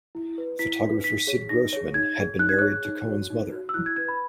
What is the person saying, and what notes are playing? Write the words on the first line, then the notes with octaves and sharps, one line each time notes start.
Photographer Sid Grossman had been married to Cohen's mother.
E4
B4
E4 B6
B4
D#4 B6
G#4 C#5
D#4 A#6
G#4 C#5
D#4 G#6
G#4 C#5
D#4 F#6
G#6
G#4 C#5 F#6
D#4
F#4 C#5
D#4
F#4 C#5
E6
E4 F#6
G#6
B4 G#6
B5